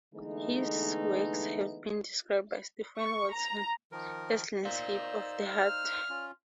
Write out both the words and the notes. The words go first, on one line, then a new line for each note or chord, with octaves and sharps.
His works have been described by Stephen Watson as 'landscapes of the heart'.
D3 E3 G#3 A3 B3 D#4
C#6
A#5
D#3 F3 A#4
D#4 C5 D5 F5 E6
F6
C#4 F4